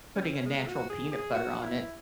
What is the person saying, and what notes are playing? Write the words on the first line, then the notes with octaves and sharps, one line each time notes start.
putting a natural peanut butter on it,
C#4
C4
C#4
G#3
F#4
G#4
G#4
F#4
E4